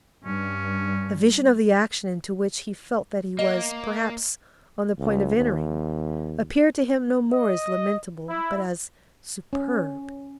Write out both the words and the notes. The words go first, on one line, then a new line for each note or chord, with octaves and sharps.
The vision of the action into which he felt that he was, perhaps, on the point of entering, appeared to him no more as lamentable, but as superb.
G2 C#4
A#3 D#5
C#2
D#2
D#5
E4
C#4